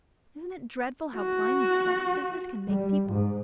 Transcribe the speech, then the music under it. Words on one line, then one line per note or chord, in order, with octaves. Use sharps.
Isn't it dreadful how blind this sex business can make people?
F#4
G3
G#2